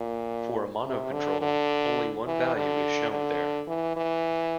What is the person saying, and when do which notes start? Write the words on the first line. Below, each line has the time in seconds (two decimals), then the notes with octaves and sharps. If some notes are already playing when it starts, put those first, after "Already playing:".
For a mono control, only one value is shown there.
Already playing: A#2
0.85 C3
1.13 D3
1.42 D3
2.26 E3
2.55 D3
3.11 D3
3.67 E3
3.97 E3